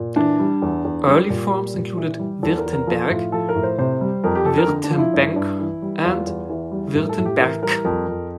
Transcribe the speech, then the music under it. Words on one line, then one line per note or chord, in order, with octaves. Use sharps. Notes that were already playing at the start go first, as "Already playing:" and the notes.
Early forms included "Wirtenberg", "Wirtembenc" and "Wirtenberc".
Already playing: A#2
E3 D4
G3
E2
E2
G3 G4
A#2
G3
A#2
E3
G3
E2 A4
A#4
E2
A#4
F3 A4
A2 F4
F3 A4
A#4
A2
C5
C3 C5
G3
F2 A#4
G4
F2 A4
A#4
D3
D4
F3
E4
G2
G2
E3
G3
E2 F4
E2
E3
G3
A2 A#4
A4
A2
G4
E3 A#4
G3 A#4
F2 A#4
F2